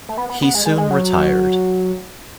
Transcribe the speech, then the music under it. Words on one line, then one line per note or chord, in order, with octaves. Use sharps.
He soon retired.
A3
B3
B3
B3
G#3
G#3
G#3
F#3